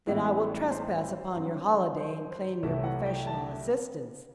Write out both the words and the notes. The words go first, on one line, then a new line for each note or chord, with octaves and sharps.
"Then I will trespass upon your holiday and claim your professional assistance."
A1 A2 G3 B3 E4
C5
G2 F#3 C4
C5
C5
C2 C3 F#3 A3 E4 E5
F#5
G5
A5